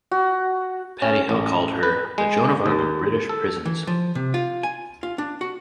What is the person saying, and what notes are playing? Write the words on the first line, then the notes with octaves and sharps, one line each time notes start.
Paddy Hill called her "the Joan of Arc of British prisons".
F#4
C#4
A1
B4
G#3
D#2
A4
E3
F3
C3
F4
G#5
F4
D4
F#4